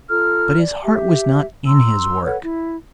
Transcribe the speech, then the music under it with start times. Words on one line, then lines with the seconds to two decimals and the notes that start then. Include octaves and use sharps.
But his heart was not in his work.
0.09 F4 A4 A#5 F6
0.58 D5
0.83 G4 E5
1.67 A#5 C6 E6
2.24 A4 B4 C#5 F#5
2.42 E4